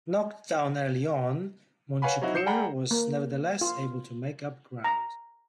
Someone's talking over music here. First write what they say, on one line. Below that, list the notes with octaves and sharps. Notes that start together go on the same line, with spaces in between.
Knocked down early on, Monshipour was nevertheless able to make up ground.
B4 C#5 F5 F#5 G#5 B5
F#3 C4 D#4 E4 F#4
G6 C7 C#7 E7
G#4 D5 F#5 G5 A#5 B5
A#3
F4
A#5